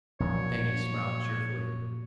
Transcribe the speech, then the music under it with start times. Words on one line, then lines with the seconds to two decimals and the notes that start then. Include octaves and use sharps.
Peggy smiled cheerfully.
0.20 A#2 F3 F#3 C#5